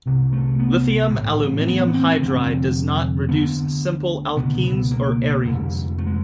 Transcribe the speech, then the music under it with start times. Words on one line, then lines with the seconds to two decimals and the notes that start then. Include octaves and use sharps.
Lithium aluminium hydride does not reduce simple alkenes or arenes.
0.06 C2 C3
0.33 A3
0.59 B3
1.14 A1 A2
1.60 C4
1.68 B3
1.88 B3
1.94 C4
2.21 F1 D#2 D3 C4
3.29 D2 D3 B3
4.36 C#2 B2 B3
4.64 B3
4.91 A#3
5.44 F1 F2 D3
5.98 A3
6.07 G#3